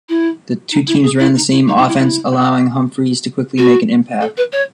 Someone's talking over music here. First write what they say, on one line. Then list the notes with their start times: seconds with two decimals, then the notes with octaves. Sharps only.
The two teams ran the same offense, allowing Humphries to quickly make an impact.
0.09 E4
0.72 D#4
0.88 E4
1.04 G#4
1.20 E4
1.36 D#4
1.51 E4
1.68 D#4
1.78 D#4
1.89 E4
1.99 E4
3.58 F#4
4.21 A4
4.37 B4
4.53 C#5